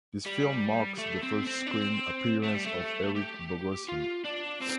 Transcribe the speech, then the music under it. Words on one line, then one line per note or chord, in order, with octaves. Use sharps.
This film marks the first screen appearance of Eric Bogosian.
G3
A3
C4
C4
D4
C4
A3
G3
A3
G4
F4
D4
C4